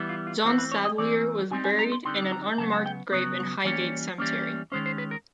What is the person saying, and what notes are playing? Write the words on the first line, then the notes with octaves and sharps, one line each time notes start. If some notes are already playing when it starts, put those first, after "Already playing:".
John Sadleir was buried in an unmarked grave in Highgate Cemetery.
Already playing: E3 G3 B3 E4
F4
F4
E3 A3 C4 F#4
B4
C#5
D#5
E3 A3 C4 D5
D3 G3 C4 D#4 G#5
G#5
A#5
C6
D3 G3 C4 D#4 C6
A#5
C#3 F#3 B3 A5
A5
G5
C#3 F#3 B3
E3 G3 A#3 C#4 C#5
E3 G3 A#3 C#4
D#3 G#3 C#4 C5
C5
B4
A#4